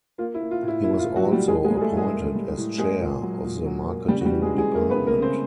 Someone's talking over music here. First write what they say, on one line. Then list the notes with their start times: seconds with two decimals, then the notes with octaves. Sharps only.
He was also appointed as Chair of the Marketing Department.
0.18 A#3 F4
0.34 E4
0.40 A#3
0.51 F4
0.62 A2
0.68 E4
0.83 A#3 E4
0.99 F4
1.06 A2
1.16 F#3 F#4
1.27 A2
1.32 G3 G4
1.48 E3 G#3 G#4
1.64 G#3 G#4
1.71 G3
1.77 G#4
1.81 A3 A4
1.91 A2
1.97 G#3 G#4
2.13 A#3
2.35 G3
2.57 A2
2.78 G#3 A#3 G#4
3.00 A#2
3.22 F#3
3.44 A#2
3.66 F#3
3.87 A#3
4.08 C#3 G3 G4
4.21 F#4
4.25 G3 G4
4.31 E3
4.42 G#3 G#4
4.52 C#3
4.58 G#3 G#4
4.74 A3 A#3 A#4
4.90 B3 B4
4.96 C#3
5.07 A#3 A#4
5.18 C#3 C4 C5